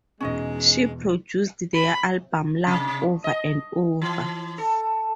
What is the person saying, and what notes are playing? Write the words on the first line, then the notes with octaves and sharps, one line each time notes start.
She produced their album "Love Over and Over".
E2 B2 G#3 C#4 D#4 D#5
B5
C3
D#5
E3
A4